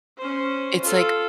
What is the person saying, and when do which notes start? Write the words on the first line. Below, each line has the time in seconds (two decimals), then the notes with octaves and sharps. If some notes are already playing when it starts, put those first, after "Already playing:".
it's like,
0.18 C#4 C5
0.82 F4 A4